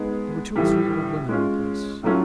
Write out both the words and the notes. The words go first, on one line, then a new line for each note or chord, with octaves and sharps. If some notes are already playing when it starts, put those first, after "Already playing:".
There were two or three old women in the place.
Already playing: G#3 B3 D#4 G#4
A2 E3 G3
G#3 C#4 F4
A2 F#3 A3 C#4 F4